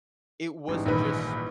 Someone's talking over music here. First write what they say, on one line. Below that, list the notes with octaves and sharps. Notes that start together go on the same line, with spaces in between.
it wasn't just,
A1 G#2 G3
A#1 D#3 B4